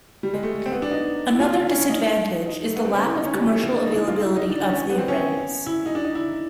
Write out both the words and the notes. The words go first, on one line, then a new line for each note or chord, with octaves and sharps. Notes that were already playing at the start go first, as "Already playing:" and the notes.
Another disadvantage is the lack of commercial availability of the arrays.
G3
G#3
A3
C4
B3
D4
D#4
E4
F4
E4
C#4
D#4
D#4
A3
B3
C4
C#4
E4
D#4
C#4
G3
F3
A3
A#3
D4
D#4
E4
F4
E4
D#4
D4
D4
C#4
B3
C4
C#4
E4
D#4
D4
D#4
E4